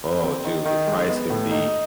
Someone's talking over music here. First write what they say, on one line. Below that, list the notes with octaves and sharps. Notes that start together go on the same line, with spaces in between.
Oh, dude, the price can be
C4
D#3
D#3
G#3
B3
A2
D#4